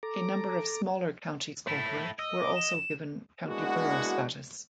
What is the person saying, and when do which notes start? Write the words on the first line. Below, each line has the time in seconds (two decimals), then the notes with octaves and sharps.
A number of smaller counties corporate were also given county borough status.
0.03 A4 A#5 D6
1.67 A3 E4
2.19 D#5 E6
2.40 D6
2.56 E7
3.47 G#3 A#3 B3 D4 E4 F#4